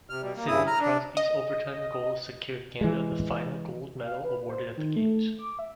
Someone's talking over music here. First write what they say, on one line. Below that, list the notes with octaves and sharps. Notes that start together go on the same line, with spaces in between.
Sidney Crosby's overtime goal secured Canada the final gold medal awarded at the Games.
C3 F6
B2 G3
A#3
G2 C#3 E4 D#6
A#5 F6
D4
D#5
E3 G#3
F5
B4
C5
D#3
A3
D6
E5